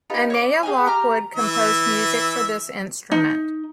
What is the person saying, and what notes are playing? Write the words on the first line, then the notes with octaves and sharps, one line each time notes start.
Annea Lockwood composed music for this instrument.
D#4 F4 G4 B4
C#5 E5 D6
G#4 F5 G5 G#5
G4 A#5 F6
E3 E5
D#4